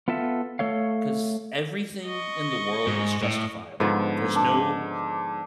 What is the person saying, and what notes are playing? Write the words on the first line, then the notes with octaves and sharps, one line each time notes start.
'Cause everything in the world is justifiable. There's no
B3 F4 A4 E5
A3 A4 C#5 F5
D#5 C#6
G#2
A2
G#2 D3 F3 B3
D4